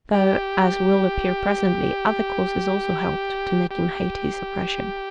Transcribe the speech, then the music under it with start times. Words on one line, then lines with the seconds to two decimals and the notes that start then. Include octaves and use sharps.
Though, as will appear presently, other causes also helped to make him hate his oppression.
0.14 G4
3.71 G4